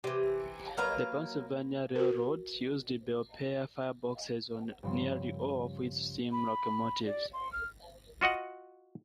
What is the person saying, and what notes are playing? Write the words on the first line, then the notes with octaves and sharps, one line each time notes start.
The Pennsylvania Railroad used Belpaire fireboxes on nearly all of its steam locomotives.
C3 E3 G4
F#3 A#3 B4 F5 A#5
F#4 A#4
G2 C#3 F3 C6
B5
D5
C6
F6
F4 F#4 D#5 F#5